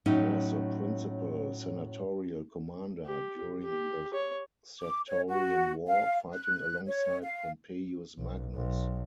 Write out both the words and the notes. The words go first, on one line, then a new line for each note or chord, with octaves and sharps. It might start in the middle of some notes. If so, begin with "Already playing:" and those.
He was the principal Senatorial commander during the Sertorian War, fighting alongside Pompeius Magnus.
A2 F#3 C#4 D#4
G4
G4
C#5
D6
C#5
F#4
F5
F#6
C#5
F5
B1
B1